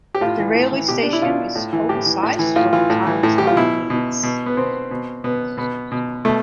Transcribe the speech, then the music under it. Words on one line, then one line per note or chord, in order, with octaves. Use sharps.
The railway station is oversized for the town's own needs.
G4
A2 F4
E3
A2
E3
B2 G4
D4
E4
B2 F4
A2
E3
A2 G4
E3
A2
E3
A2 F4
E3 F4
A2
E3
A2
E3 G4
F4
B2 E4
B2
B2
B3
B2 C4
B2
B2 B3
B2 B3
B2
B2 A3